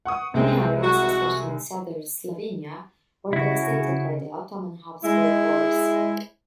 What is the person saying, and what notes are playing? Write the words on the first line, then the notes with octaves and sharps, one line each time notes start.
Many areas, especially in southern Slovenia, were devastated by the Ottoman-Habsburg Wars.
F#5 C#6 D#6
C2 G#3 C4 D#5
F#4
C#3 E4 F#4
G#3 E4